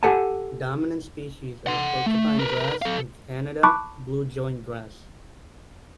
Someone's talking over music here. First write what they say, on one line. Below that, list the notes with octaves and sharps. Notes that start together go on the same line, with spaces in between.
Dominant species are porcupine grass and Canada blue-joint grass.
G4 A4 F#5 G#5 A5
F#5 C6
A3
A#4 B4
A4 F5
A5 B5 C#6 D6 F#6